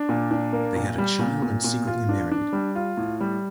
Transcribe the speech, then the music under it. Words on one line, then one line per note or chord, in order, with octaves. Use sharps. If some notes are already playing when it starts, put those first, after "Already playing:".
They had a child and secretly married.
Already playing: D4
A#2
D4
A#3
A#2
G3
A#2
A#2
A#2
F4
D4
D4
G3
F4
A2
G3